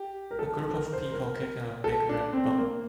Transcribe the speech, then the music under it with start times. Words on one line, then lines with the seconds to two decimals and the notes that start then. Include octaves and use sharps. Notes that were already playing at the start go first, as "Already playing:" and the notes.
A group of people kicking a big red ball.
Already playing: G4
0.31 A#4
0.39 A4
0.57 A4
0.75 A#4
0.93 C5
1.12 A#4
1.84 A4
2.09 D4
2.33 C4
2.58 A#3